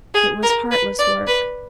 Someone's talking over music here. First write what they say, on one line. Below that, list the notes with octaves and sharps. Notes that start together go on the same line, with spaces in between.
It was heartless work.
G#4
A#4
B4
D5
B4